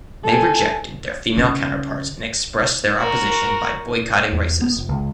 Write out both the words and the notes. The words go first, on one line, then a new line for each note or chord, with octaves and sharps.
They rejected their female counterparts and expressed their opposition by boycotting races.
A4 G#5
C#3
F#4 A#4
E2
B3
F1
C#2